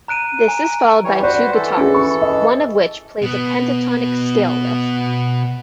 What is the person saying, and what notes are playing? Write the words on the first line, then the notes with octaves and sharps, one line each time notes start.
This is followed by two guitars, one of which plays a pentatonic scale riff.
A#5 F#6 D7 D#7
G#5 A#5
E3 G3 C#5
F#4 B4 C5 D5
E3 A4
C#4 G#4
C#6
D#5
B2 B3